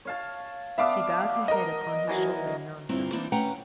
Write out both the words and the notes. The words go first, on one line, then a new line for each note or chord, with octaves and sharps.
She bowed her head upon his shoulder in answer.
C#5 F5 A5
B3 D4 E5 F5 D6
A#4 D#5
E3 F#3
G2 A#2 C4 E4 F4 A#5
E3 A#3 C4 D4 D#4
A3 C#4 B4 F#5 G5 A#5